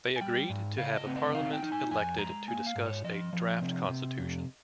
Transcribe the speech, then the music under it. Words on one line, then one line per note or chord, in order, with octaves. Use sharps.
They agreed to have a parliament elected to discuss a draft constitution.
G#5
G3 G5
G#2
C#3 F5
D#5
C4
D#5
D#4 F5
G5
D#4
G#5
F2 G#5
G#3 A#5
A#3 G#5
F5
G#2
C#5
F3 D#5
F3
C3
C3
F2